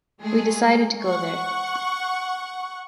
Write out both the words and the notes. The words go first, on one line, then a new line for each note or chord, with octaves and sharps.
We decided to go there.
G#3 A3 G#4
F#5 C#6